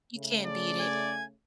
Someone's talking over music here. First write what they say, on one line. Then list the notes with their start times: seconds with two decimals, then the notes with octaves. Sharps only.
You can't beat it.
0.15 C#3 A3
0.46 D5
0.80 G#5